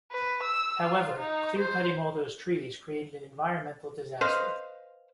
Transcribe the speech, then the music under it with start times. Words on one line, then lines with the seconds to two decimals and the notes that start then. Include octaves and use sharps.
However, clear-cutting all those trees created an environmental disaster.
0.12 B4
0.43 E6
0.82 F4
1.19 D#4
1.59 C5
4.21 B4 C5 D#5 F5